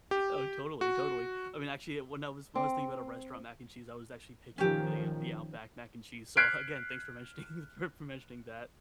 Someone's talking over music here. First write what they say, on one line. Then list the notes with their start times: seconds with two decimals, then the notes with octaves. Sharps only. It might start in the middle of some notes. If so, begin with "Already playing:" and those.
Oh, totally, totally. I mean, actually it when I was when I was thinking about a restaurant mac and cheese, I was actually picturing the, uh, the Outback mac and cheese, so again, thanks for mentioning for for mentioning that,
0.11 G4
0.81 F#4
2.55 C4
4.58 D#3 F3 C#4 G4
6.37 F6 F#6 G#6 B6 C7 D7